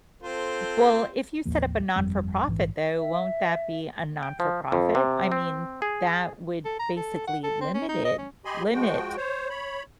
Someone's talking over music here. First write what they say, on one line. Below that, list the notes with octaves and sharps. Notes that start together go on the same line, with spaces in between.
W well, if you set up a non-for-profit, though, won't that be a non-for-profit? I mean, that would basically limit it limit
C4 F4 A4 C5
A1 D#2 F3 A#3
G1 F2 G3 C4
A#1 G#2 D3 E3
E5
G5
F3
F2
C3
C4
G#4
A4
A#5
A4
F#5
A4
C4
C#4
D#4
D#5
C#4
G4 D#5 G#5 B5 C6
F3 G#3 F#4 G5
C5 C#5
C#5 B5